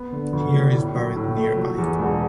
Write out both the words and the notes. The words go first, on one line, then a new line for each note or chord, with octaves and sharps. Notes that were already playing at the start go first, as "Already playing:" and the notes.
Heer is buried nearby.
Already playing: B3
D3
D2
G3
A2
F#3
A2
A3
F#3
E2
E1